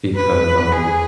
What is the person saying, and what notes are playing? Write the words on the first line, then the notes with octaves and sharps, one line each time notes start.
because, um,
B4
G#4